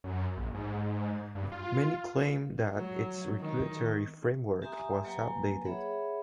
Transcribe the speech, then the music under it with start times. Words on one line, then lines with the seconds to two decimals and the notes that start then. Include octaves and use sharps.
Many claimed that its regulatory framework was outdated.
0.04 F#2
0.37 A#1
0.54 G#2
1.35 G2
1.52 F4
2.74 F#3
3.39 D#3
4.62 G4 E5 G#5 A#5 C6 D#6
5.04 F#3 A#3 B4 G5 G#5 A#5
5.65 G#4 C#5 E5 F#5 B5